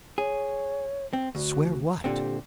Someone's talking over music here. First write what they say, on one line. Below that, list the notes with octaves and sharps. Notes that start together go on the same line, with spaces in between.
"Swear what?"
G#4 C#5
C4
D2 F#4
A#2 D3 C4 G4